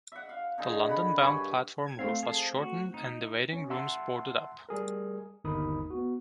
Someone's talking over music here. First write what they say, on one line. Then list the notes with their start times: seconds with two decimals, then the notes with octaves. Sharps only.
The London-bound platform roof was shortened and the waiting rooms boarded up.
0.12 E5 F#5
0.29 F5
0.58 D3 D#3 G#4
0.89 F#5 B5
1.20 G2 C#5 G#5 B5
1.86 G#6
1.99 A3 C4 F5
2.23 G#4 F5 A5
2.57 F#4
2.94 D#4
3.53 C#4
3.70 E5 F#5 A5 A#5 C6 E6
4.69 G3 G#4 A#4
5.44 G1 D#2 D#4 A#4 B5 D#6
5.90 B3 F#4